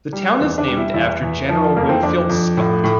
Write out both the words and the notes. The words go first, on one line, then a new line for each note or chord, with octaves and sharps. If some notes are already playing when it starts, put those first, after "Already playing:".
The town is named after General Winfield Scott.
G3
E2 C5
D4
G3
E4
E2 E4
E2
F3
F2 A#3
C4
F2 D4
F2
A2
A2